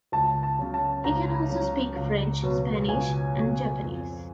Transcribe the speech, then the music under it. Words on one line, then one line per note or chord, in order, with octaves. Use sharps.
He can also speak French, Spanish, and Japanese.
C#2 A5
A5
C#3 F#3
A5
C#2 A#5
C#3 F#3
C#2
B2 F#3 B3
C#2 G#5
B2 F#3 B3
F2